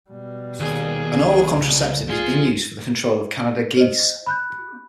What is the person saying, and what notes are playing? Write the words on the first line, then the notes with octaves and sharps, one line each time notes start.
An oral contraceptive is in use for the control of Canada geese.
B2 G3
D#2 G#4
C2
C#2
F3 F4 G#4 C6
C5 D#5
B5 F#6 G6